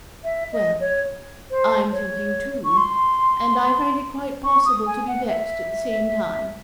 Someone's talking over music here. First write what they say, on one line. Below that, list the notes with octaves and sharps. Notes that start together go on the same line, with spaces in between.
'Well, I'm thinking too, and I find it quite possible to be vexed at the same time.
E5
D#5
C#5
C5
C#5
C#6
C6
C#6
D#6
G#5
F#5
E5